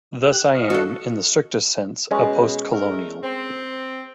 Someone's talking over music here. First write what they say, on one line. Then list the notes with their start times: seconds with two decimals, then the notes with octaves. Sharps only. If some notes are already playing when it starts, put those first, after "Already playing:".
Thus I am, in the strictest sense, a postcolonial.
0.23 G4 F#6
0.55 D#5 F5 C#6
0.70 F#4 A4
2.11 B2 G#3 C#4
2.73 A3 A#4
3.23 C4